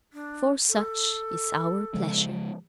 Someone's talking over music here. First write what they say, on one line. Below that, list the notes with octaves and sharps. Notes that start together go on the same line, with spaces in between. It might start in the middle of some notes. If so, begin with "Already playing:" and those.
"For such is our pleasure."
D4
A4
C#3 F3 G#3